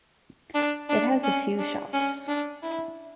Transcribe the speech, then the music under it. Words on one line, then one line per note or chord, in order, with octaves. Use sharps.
It has a few shops.
D4
D4
C#4
D4
C#4
D4
E4